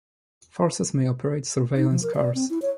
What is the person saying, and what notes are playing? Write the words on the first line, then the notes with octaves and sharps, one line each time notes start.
Forces may operate surveillance cars.
D#4
F3
A#4
D5
C4
E4
C#5